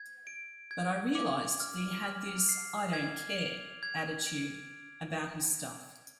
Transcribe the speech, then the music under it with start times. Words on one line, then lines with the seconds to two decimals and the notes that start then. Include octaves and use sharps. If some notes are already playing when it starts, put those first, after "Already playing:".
But I realized he had this I-don't-care attitude about his stuff.
Already playing: G#6
0.27 D7
0.71 G#6
1.15 D6
1.60 F6
2.04 F6
2.49 C7
2.93 G#6
3.38 F7
3.83 G#6
4.27 D7